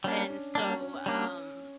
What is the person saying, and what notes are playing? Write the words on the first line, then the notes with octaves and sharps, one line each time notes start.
And so, um,
G3 A#3 C#4 D4
D4
G3 A#3 D4
C#4
C#4
C#4
G3 A#3 C#4 D4